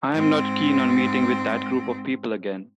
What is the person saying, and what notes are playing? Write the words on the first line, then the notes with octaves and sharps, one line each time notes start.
I am not keen on meeting with that group of people again.
G#2 C4